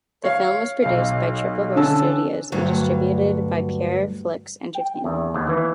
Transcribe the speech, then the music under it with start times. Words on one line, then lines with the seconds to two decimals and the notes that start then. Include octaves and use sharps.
The film was produced by Triple Horse Studios and distributed by Pure Flix Entertainment.
0.24 C#5 F5
0.82 B1 F5
1.76 D3 C#4 A5 E6
2.52 D2 G2 F#3
4.74 G5
5.04 E2
5.34 D#2
5.49 E3